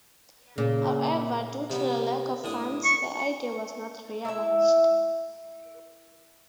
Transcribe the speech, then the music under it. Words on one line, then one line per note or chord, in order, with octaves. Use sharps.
However, due to the lack of funds, the idea was not realized.
A#2 C#3
C3 G3 B3
A2 D4 D#6
C#6
E4 E5